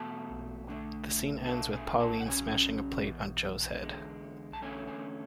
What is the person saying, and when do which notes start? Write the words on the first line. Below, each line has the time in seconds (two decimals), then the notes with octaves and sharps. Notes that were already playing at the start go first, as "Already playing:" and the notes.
The scene ends with Pauline smashing a plate on Joe's head.
Already playing: E2 B2 A3 A5
0.68 D3 A3 D4
1.47 B2 A3 D4 A5
1.74 G#5
2.00 A5
2.20 F#5
2.25 C#3 F#3 C#4 G#5
3.04 E2 B2
3.83 E2 D3 G#3
4.53 A5
4.62 E2 D3 A3 C#4 G#5
4.87 G#5